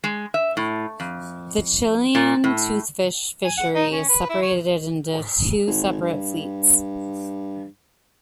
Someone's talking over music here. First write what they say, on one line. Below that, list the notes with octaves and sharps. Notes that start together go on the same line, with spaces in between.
The Chilean toothfish fishery is separated into two separate fleets.
G#3
E5
A2
F2
A#2
A2
G#5
F#5
D#4
C#4
B4
E4
C#5
G#1
G2